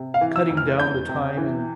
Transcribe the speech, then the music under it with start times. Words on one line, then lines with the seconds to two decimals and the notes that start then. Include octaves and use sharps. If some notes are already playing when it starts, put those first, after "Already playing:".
cutting down the time and
Already playing: C3
0.14 F5
0.21 E3
0.36 E6
0.50 F1
0.57 F6
0.79 E2 G6
1.08 C3
1.37 E3